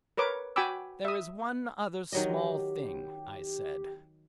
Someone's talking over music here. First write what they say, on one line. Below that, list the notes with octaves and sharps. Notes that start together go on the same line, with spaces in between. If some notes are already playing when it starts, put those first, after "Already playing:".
"There is one other small thing," I said.
A#4 B4 C#5 D6
F#4 G5 G#5 B5 D6 E6
E5 D#6
D#3 F#3 G4 D#5